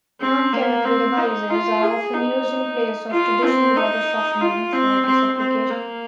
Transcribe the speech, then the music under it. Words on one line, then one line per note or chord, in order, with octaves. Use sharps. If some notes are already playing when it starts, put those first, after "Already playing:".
Non-chemical devices are often used in place of traditional water softening for this application.
C4
A#3
C4
D#4
F4
G#4
D#4
F4
C4
D#4
F4
C4
C4
C4
A#3